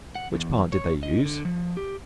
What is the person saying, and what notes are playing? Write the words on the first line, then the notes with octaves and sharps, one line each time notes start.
Which part did they use?
F#5
E2
C#5
D#5
D3
F3
G4